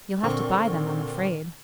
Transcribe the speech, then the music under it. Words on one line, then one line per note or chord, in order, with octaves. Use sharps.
"You'll have to buy them, I'm afraid."
A#2 D3 C4 C#6